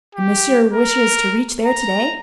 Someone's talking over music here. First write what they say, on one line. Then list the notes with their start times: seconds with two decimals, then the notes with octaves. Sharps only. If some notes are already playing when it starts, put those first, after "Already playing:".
"And Monsieur wishes to reach there to-day?"
0.15 G4
0.73 A#4
1.65 A#5